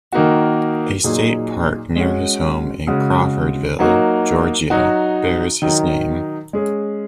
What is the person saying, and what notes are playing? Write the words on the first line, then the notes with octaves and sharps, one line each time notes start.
A state park near his home in Crawfordville, Georgia bears his name.
D#3 A#3 D#4 F#4
A#2 F#3 D#4 G#4
G#3 C#4 F#4
C#3 G#3 F#4
F#3 A#3 D#4 F#4
F#3 D#4 F#4
D#3 F#3 D#4
G#3 C#4 G#4